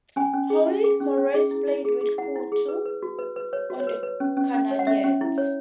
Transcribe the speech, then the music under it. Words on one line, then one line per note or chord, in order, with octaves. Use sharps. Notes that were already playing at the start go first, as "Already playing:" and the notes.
Howie Morenz played with Coutu on the Canadiens.
C#4 G#5
C#4
G#4
C#4
G#4
C#4
C#4
G#4
E4
E4
G#4
G#4
E4 F#5
E4
G#4
B4
B4
F#4
B4
B4
B4 C#5
F#4
C#5
B4
B4
C#4
C#4
C#4
C#5
F#5
C#4 E5
C#4
E4
C#5